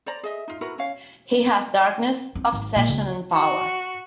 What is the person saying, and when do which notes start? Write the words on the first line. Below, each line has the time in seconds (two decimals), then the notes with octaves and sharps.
He has darkness, obsession and power.
0.06 C5 D5 A#5
0.23 G#4 D#5 E5
0.48 D#4 F4
0.61 E4 F#4 A#4 B4
0.78 C#4 C#5 F5
2.35 C4
2.52 G#1
2.76 A#2
2.88 C#2
3.33 F#4